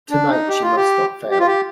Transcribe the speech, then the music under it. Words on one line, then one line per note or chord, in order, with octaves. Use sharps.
Tonight she must not fail.
D4
D#4
G4
F4
G4
G4
F4
G4